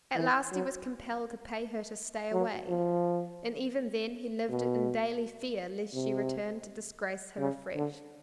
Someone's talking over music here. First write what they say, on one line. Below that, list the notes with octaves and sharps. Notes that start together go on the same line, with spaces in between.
At last he was compelled to pay her to stay away, and even then he lived in daily fear lest she return to disgrace him afresh.
E3
F#3
F#3
F3
B2
C3
C#3
D3